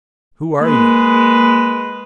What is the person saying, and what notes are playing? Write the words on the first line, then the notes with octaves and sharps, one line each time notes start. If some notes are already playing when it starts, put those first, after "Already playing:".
"Who are you?"
G#3 A#3 B4